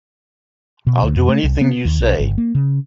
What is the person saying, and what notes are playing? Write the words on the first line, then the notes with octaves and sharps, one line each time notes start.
I'll do anything you say.
B2
D2
F2
A3
C2
B3
D#2
B1
G1
A#3
C#3